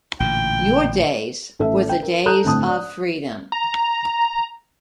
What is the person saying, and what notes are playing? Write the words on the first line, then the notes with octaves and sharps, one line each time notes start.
Your days were the days of freedom.
A1 A#2 D3 G5
A1 A4 E5
G5
A#4
A4 A#5 D#6 F#6 G6
G1 A2 C4 A5 D#6
D5
A#5